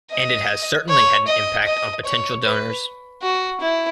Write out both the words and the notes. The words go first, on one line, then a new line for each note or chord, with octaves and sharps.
And it has certainly had an impact on potential donors.
D#5
C#5
D#5
D#5
C#5
B4
F#4
E4